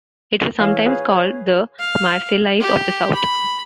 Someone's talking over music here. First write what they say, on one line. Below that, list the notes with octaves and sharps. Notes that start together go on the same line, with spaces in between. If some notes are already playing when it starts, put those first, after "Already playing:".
It was sometimes called "the Marseillaise of the South".
E3 G#4 C#5 F5
G#4 B4 F5
F5
G4
B5